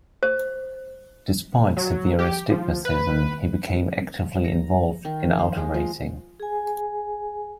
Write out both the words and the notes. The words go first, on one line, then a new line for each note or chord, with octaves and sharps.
Despite severe astigmatism, he became actively involved in auto racing.
C5
F#3
G4
F3
B4
A#5
D#3
C5
G#3
F3
G#4 G#5